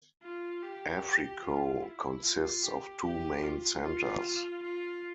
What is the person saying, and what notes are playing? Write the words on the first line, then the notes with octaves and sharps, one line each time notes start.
Africo consists of two main centers.
F4
G4
F4
E4
F4
G4
G4
F4
F4
F4